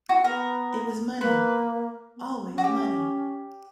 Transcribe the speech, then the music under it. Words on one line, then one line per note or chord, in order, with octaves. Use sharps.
It was money — always money.
E4 F#4
B3 A#4
A#3 B4
B3
B3
C#4
F#4
G4